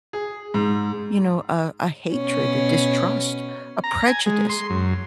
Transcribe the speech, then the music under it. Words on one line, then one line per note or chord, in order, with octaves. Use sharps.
you know, a a hatred, a distrust, a prejudice,
G#4
G#2
B2 C#4
A#5
G#5
G#3
C6
F#2